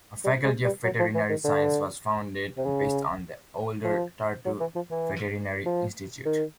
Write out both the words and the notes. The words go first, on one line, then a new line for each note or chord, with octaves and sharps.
A Faculty of Veterinary Science was founded based on the older Tartu Veterinary Institute.
G3
G#3
G3
F#3
F3
E3
D#3
D3
C3
C#3
F3
F#3
E3
F3
E3
F3
D#3